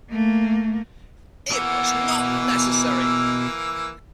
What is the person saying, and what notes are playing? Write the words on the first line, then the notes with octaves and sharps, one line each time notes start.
It was not necessary.
A3 A#3
B2 E3 A#3 F#5 E6